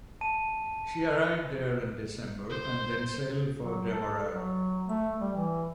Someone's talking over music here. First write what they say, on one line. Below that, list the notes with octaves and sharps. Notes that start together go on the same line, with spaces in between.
She arrived there in December and then sailed for Demerara.
A5 D#7
C5
F#3
A4
F#3
A3
G3
E3